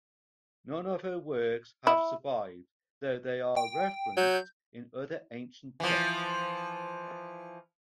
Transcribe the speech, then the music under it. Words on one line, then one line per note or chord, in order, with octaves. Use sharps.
None of her works have survived, though they are referenced in other ancient texts.
E4
G5
F#3 G6
E3 F3